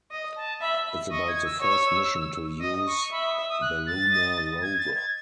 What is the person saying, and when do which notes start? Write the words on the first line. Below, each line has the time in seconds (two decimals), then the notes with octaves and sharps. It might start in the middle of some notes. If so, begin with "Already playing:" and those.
It’s about the first mission to use the lunar rover.
0.11 D#5
0.36 A5
0.61 E5 B5
1.11 D#5 C#6
1.28 G#6
1.45 E6
1.61 C#5
2.61 D#5 D#6
2.86 C#6
3.11 E5 B5
3.24 D#6
3.37 E6
3.49 D#6
3.62 F#6
3.87 A6
4.12 D#5
4.62 G#6
4.78 A6
4.95 G#6